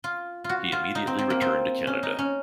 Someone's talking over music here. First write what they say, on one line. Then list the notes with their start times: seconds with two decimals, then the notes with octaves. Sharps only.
He immediately returned to Canada.
0.04 F4
0.44 F4
0.49 F#4
0.72 F4
0.95 D#4
1.07 C4
1.19 C4
1.30 A#3
1.41 C4
1.87 C#4
2.03 D#4
2.19 C#4